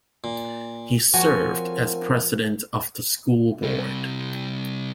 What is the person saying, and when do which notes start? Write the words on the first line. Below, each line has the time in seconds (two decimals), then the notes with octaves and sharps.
He served as president of the school board.
0.24 A#2
1.14 F3 C4 F4 F#4 A#4 C#5 F#5 G#5
3.63 C3 G3